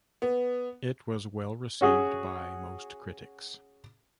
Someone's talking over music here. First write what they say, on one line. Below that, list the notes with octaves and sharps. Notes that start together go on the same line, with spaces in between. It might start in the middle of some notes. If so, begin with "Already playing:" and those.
It was well received by most critics.
B3
C#4 F#4 G#4